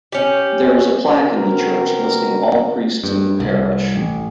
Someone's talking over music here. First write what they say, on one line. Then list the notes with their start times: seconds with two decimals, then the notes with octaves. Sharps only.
There is a plaque in the church listing all priests of the parish.
0.12 C#4 G4
1.21 C#3 B3 C4 F#4 A#4
3.04 G2
3.40 C2
3.96 A1